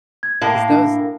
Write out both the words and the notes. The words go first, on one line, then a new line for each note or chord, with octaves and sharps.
'Cause those
G#6
A2 A#3
D4